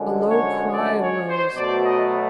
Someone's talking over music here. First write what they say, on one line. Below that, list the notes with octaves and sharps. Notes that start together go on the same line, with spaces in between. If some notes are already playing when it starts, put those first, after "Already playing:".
A low cry arose.
Already playing: F#2 D3 F3 G#3
C#5
D5
C#5
C5
B2 F#3 A3 D5
D#5